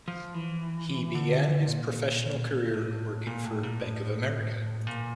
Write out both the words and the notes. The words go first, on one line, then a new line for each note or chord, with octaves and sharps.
He began his professional career working for Bank of America.
F3
E3
D3
A#2
A2
A#2
A2
A#2
A2
A#2